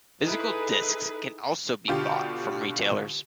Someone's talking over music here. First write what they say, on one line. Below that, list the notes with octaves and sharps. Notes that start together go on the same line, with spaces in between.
Physical disks can also be bought from retailers.
D#4 E4 G#4 A4 B4
B2 D3 F4 G4